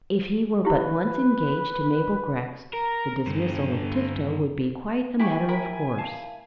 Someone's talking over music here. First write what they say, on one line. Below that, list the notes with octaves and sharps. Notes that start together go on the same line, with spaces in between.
If he were but once engaged to Mabel Grex the dismissal of Tifto would be quite a matter of course.
E4 G4 B4
A#4
G2 D3
E4 G4 G#5 B5 C#6
E4 A#4 G#5 B5
F5 A5